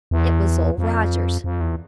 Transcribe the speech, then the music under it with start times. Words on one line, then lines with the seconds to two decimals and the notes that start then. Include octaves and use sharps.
It was Old Rogers.
0.11 E2
0.78 F2
1.44 F2
1.61 E2